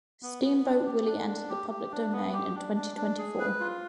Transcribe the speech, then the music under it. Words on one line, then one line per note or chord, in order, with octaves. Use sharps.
Steamboat Willie entered the public domain in twenty twenty-four.
B3
B3
D4
G4
D4
D4
G4
G4
D4
B3
G4
D4
D4
D4
G#4
B4
F4